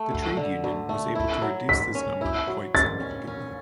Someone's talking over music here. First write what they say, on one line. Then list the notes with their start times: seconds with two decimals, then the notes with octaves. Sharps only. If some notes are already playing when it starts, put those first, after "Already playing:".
The trade union was able to reduce this number quite significantly.
Already playing: A3
0.11 D2
0.37 D3
0.64 D2
0.89 A3
1.15 E4
1.42 F#3
1.69 G#2 B6
1.95 C#4
2.21 E4
2.47 F#3
2.74 G#2 A6
3.00 C#4
3.27 C#4